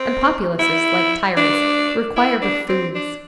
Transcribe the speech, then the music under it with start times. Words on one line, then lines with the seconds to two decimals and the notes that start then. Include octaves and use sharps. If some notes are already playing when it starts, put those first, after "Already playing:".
And populaces, like tyrants, require buffoons.
Already playing: C4
0.59 E4
1.37 D4
2.16 E4
2.42 D4
2.68 C4
2.95 D4